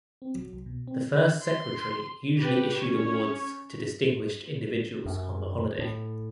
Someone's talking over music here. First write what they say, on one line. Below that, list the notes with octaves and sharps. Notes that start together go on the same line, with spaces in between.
The First Secretary usually issued awards to distinguished individuals on the holiday.
C4
F#3
C2
B2
C4
C6
G4 B4
C#4 C#5
F#2
A2